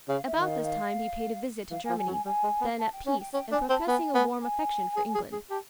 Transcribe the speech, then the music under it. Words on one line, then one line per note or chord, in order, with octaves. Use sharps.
About this time he paid a visit to Germany, then at peace and professing a warm affection for England.
C#3 F5
E5
D#3
F5
F5
E3 F5
G#5
F3
G#5
F#3
G#5
G3 G#5
G#3
B3
A5
G5
C#4 G#5
G5
C#4 G5
D4 G#5
C4 A5
B3 G#5
B3
G#5
G#4
G#4
G#4
G4 A5